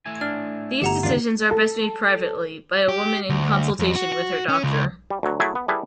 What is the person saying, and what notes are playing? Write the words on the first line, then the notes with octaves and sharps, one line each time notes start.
These decisions are best made privately by a woman in consultation with her doctor.
A3 E4 G#5
D4 F6
G1 G4 F#5 A#5
D#2 G#2 C#3 D4 F4
A4
G4
D2
F2
F#4
F#4
C#4
C#2
G3
D2 F#3
F#3 A3 E4 G#4
B3
G3 E4 G#4 A4 B4